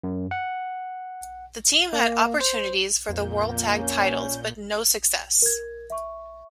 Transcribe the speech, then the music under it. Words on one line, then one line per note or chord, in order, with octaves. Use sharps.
The team had opportunities for the World Tag Titles but no success.
F#2
F#5
A#3
C5
F2 A#2 A#3 G6
C#4
A#4 G#6
E5 C#6